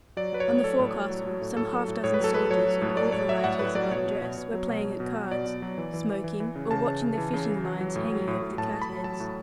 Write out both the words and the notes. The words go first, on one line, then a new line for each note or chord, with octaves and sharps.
On the forecastle, some half-dozen soldiers, in all varieties of undress, were playing at cards, smoking, or watching the fishing-lines hanging over the catheads.
F#3 D5
F#3 B4
C#5
A2
F#3 A4
A2
F#3
F#3
F#3
A2
A2 A4
F#3
A2
A2 C#5
B4
F#3 A4
A2 B4
F#3 C#5
F#3
A2
F#3 D5
A2 C#5
F#3 E5
A2 F#5
A2 B4
F#3 D5
B2 C#5
B2
B2
B2
F#3
B2
B2
B2
F#3
B2 D5
B2
F#3
E3
E3
E3
E3
E3
C#3
C#3 A5
C#3
C#3
E3
C#3
E3
F#3
F#3
A2
F#3
A2
A2
A2 A5
A2
B5
F#3
F#3 A5
A2